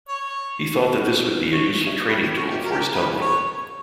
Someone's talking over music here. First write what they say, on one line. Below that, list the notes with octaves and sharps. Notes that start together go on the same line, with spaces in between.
He thought that this would be a useful training tool for his tumbling.
C#5
C#5
B4
G4
F#4
G4
A#4
G4
A#4
B4
C#5